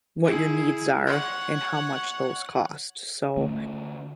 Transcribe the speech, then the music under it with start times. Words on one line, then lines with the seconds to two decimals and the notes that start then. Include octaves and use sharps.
what your needs are and how much those cost, so
0.24 E4 G#4
1.07 C#5 F#5
3.37 D3 A3 C#4